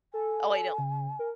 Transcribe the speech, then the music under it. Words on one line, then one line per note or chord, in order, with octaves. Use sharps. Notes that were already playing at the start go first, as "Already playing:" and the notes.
Oh, I know.
A4 G#5
C#3
A#4